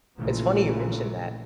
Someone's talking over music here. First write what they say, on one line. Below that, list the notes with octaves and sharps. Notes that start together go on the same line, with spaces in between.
It's funny you mentioned that.
A#1 A#2 C#3 E3 A3